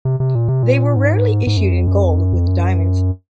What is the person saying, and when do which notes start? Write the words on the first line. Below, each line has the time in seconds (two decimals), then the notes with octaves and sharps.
They were rarely issued in Gold with Diamonds.
0.05 C3
0.20 C3
0.35 A#2
0.48 C3
0.63 A#2
0.96 G#2
1.47 G#2
1.57 F#2
1.72 F2
1.87 F#2
2.03 F2
2.18 F#2
2.33 F2
2.47 F#2